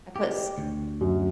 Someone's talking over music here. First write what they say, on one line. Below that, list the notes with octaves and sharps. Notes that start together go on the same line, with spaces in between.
I put s
G4
D2
F#2